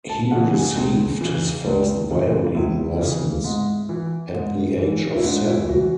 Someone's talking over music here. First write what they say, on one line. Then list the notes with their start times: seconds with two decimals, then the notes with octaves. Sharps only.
He received his first violin lessons at the age of seven.
0.09 A5
0.31 C#3 E3 F#5
0.53 G#4
0.75 C#2
1.21 C#3 E3
1.66 C#2
2.11 C#3 E3
2.54 C#2 E4
2.99 C#3 E3
3.44 G#2
3.89 E3
4.34 G#2
4.78 E3
5.15 E4
5.23 G#2 D4
5.45 E4
5.68 E3 F#4